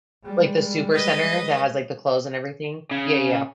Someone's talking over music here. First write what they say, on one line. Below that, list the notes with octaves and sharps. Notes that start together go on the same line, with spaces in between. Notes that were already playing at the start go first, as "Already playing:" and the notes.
Like, the Supercenter that has, like, the clothes and everything? Yeah, yeah.
G3 G#3
B4 D#5
C#3